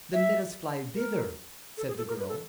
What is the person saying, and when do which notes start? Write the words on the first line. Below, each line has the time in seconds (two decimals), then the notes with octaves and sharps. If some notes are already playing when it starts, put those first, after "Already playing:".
"Then let us fly thither," said the girl.
0.13 E5
0.95 A#4
1.77 A4
1.88 G#4
1.97 A4
2.08 A#4
2.19 B4
2.29 A4